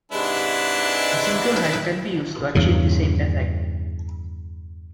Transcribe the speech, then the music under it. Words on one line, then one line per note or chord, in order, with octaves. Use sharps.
A single knife can be used to achieve the same effect.
G#2 C3 G#3 D4 E4 B4
E2 G2 C#3